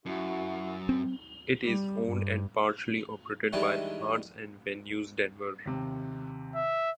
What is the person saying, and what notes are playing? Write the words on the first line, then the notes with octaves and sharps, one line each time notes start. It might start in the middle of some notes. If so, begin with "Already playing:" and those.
It is owned and partially operated by Arts and Venues Denver.
F#2 E4 F#4
C4
G3
G2
D#3 E3 G3 G#3 D4
D#2 C3
E5